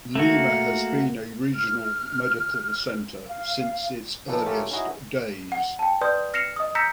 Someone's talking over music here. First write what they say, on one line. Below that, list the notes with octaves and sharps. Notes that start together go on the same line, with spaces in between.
Lima has been a regional medical center since its earliest days.
A3 A#3 F#4
F6
F5
F3 A#3 C#4 D#4 A4 B4
A3 C#4 F4 G4 A4 A#4
C#4 D#4 E4 F#4 G#4 D#5
F#5
G5 A5
B4 D5 C6 D#6 G6
F6 A#6 C7 C#7 E7 F7
D#5 D#6
A#5 E6 G6 A#6 B6 C#7